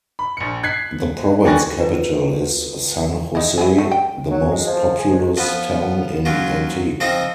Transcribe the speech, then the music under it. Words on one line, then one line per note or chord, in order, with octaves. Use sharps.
The province capital is San Jose, the most populous town in Antique.
B5
A#1 C#7
F#6 G#6 B6 C7
D#2 D3 D5 G#5 C#6 A#6
F4 B4
D#4 E4
E4 G4 G#4
A3
G5
F#3
G#3
F3
G#4
G#2
F3 B3
F#2 F#3 F4
F3 C4 D#4 F5